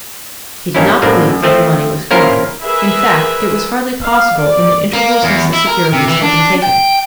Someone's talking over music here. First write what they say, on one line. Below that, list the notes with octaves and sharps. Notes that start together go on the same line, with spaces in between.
He did not believe that the money was gone; in fact, it was hardly possible in the interval since the securities had been taken.
G2 A#3 C#4 D#4 E4
F#2 A2 C3 A#3 D4
F#2
F3 A3 C4
A#3 C#4 E4 F4 A#4 C5
G#4 A#4 B4 E5 B5
F5
D5
A#3
E2
E4
A#4
C3
E3
D4
G5